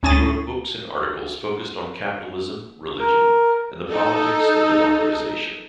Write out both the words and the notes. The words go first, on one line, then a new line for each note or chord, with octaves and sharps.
He wrote books and articles focused on capitalism, religion, and the politics of democratization.
D2 C#4 G#5 D#6 A6 D#7
A#4
D#4 A4